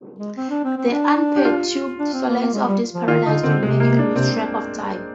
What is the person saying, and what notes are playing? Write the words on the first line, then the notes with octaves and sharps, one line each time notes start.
The unperturbed solace of this paradise will make you lose track of time.
G#3
C4
D4
C4
C4
D4
G4
F4
D4
C4
A#3
A#3
G#3
G3
F3
D#3 F4
D3 D#4
D3 C4
C3 G#3
A#3
D4
C3 C4